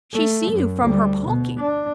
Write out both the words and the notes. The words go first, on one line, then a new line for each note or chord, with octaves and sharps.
She see you from her palkee.
A3
F#2
D2 G3
B2
D4